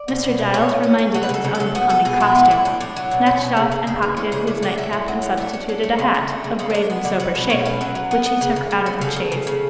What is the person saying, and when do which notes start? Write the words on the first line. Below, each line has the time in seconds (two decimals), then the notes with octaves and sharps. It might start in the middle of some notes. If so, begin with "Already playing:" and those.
Mr. Giles, reminded of his unbecoming costume, snatched off and pocketed his nightcap; and substituted a hat, of grave and sober shape, which he took out of the chaise.
Already playing: D5
0.08 B2
0.24 B2
0.38 B2
0.54 A2 C#5
0.69 A2
0.83 C#4
0.99 C#4
1.14 F#3
1.23 B4
1.29 C#3 A4
1.44 C#3
1.55 A4
1.60 F#3
1.75 B3 F#4
1.89 B3 A4
2.05 B2 G#4
2.20 B3 E4
2.36 E3
2.51 A2 E4
2.65 A2 D4
2.80 A2 D4
2.96 F#3
3.11 B2
3.26 C#4
3.41 B2
3.57 C#3
3.72 C#3
3.87 G#3
4.02 E3
4.17 E3 C#4
4.32 C#3 D4
4.47 A3 D4
4.63 C#3 D4
4.78 C#4 E4
4.93 A2
5.08 F#3
5.23 A2
5.37 A3 D4
5.53 C#4
5.69 C#4
5.83 A3
5.99 C#3
6.14 A3
6.30 A3
6.44 C#3
6.59 G#3 C#4
6.70 C#4
6.74 G#3 D4
6.90 B3 D4
7.05 D3 D4
7.20 C#4 B4
7.35 B2 B4
7.50 B2 C#5
7.65 C#4 B4
7.81 F#3 B4
7.95 F#3
8.11 B3
8.26 B3
8.41 C#3
8.56 C#3
8.71 C#3
8.86 F#3
9.01 C#3 A4
9.16 C#3
9.32 C#3
9.47 C#3